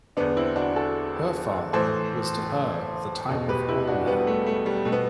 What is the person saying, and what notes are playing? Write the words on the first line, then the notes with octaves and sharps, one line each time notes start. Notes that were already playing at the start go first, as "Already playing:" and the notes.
Her father was to her the type of all men.
E2 D3 B3 D4
C4 E4
D4 F#4
F#4 A4
A2 E3 A4 C5
E2 B2
G4 B4
E4 G4
D4 F#4
G3 B3
A3
A3
G3
B2 A3
B3